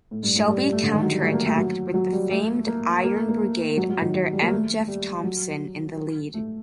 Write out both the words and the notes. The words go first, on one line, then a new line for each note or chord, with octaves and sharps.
Shelby counterattacked with the famed Iron Brigade under M. Jeff Thompson in the lead.
A2
G2
A2
G3
G3
A3
D3
D#3
F#3
G3
A3
A#3
A3
F#3
F#3
G3
A3
A#3
A#3
A3
A#3
F#3
F#3
D#3
F#3
G3
A#3
A3
G3
F#3
A3